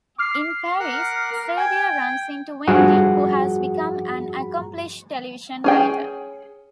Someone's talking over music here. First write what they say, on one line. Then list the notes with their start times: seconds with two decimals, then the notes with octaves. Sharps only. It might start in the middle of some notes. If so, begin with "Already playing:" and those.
In Paris, Xavier runs into Wendy, who has become an accomplished television writer.
0.18 D6 F6 C7
0.80 A#4 F#5
1.32 A#4
1.57 G5 G#5 G#6
2.67 G2 F3 F#4 G#4 F#5
5.64 C#4 G#4 G5